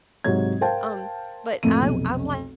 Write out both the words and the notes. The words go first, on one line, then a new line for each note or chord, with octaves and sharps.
Um, but I I'm like
G#2 C3 F#3 C#5 G#6
A#4 C5 F5 G5 A5
F2 A2 A3 A#3 D#7
F1 B1